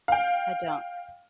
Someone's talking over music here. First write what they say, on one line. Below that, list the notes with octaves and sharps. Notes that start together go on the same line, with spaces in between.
I don't.
F5 G5